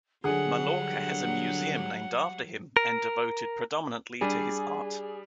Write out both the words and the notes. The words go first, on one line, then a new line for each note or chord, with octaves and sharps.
Mallorca has a museum named after him and devoted predominantly to his art.
D3 F#3 G3 G#4 F#5
A#4
G3 D4 G#4